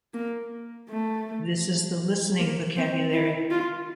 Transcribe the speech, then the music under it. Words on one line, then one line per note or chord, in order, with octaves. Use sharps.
This is the listening vocabulary.
A#3
A3
A#3
C4
E4
F4